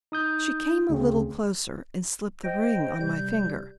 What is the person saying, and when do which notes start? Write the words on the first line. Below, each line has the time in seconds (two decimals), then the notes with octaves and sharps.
She came a little closer and slipped the ring on my finger.
0.12 D#4 D#6 G6
0.89 D2 C#3 C4
2.44 C5 D#5 G5
3.00 C3 G3 G6